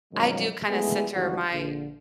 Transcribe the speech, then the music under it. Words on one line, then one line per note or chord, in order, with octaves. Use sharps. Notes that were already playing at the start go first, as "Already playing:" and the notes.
I do kinda center my
F#2 B2 D#3 F3 F#3 G#3
G#3 A3 B3 E4 G#4
G#1 D2 E3 F3 G3 F#4
A#1 D3